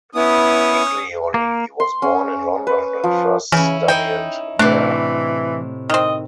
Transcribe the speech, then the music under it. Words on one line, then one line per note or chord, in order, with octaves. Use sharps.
Giglioli was born in London and first studied there.
B3 C#4 E4 D#6
A#3
C6
C#4
B4
F3
C#3 E3 C#4 E4
D#4 E4 G5
A2 C3 E3 A3 D4
D#3 C4 D#5